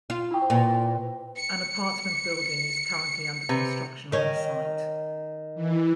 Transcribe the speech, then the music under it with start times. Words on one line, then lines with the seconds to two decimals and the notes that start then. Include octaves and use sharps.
An apartment building is currently under construction on the site.
0.10 F4
0.50 A#2
1.37 C#7
3.49 C3 B4
4.12 D#3 C#4
5.55 E3